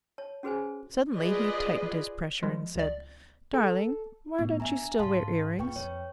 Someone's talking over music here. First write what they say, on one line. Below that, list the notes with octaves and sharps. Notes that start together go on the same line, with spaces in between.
Suddenly he tightened his pressure, and said, "Darling, why don't you still wear ear-rings?"
C#5 A5
C#4 F#4 G#4 B4 C5 G#5
F4 G#4 B4 D5 D#5
F3 G3 G#3
C#2 D5
A4
A2 B3
C#4 D4 E5 G#5 A#5
G#2 C#3 F5 A5 C6
E2 A#2 B4 G5 C#6
F2 C#5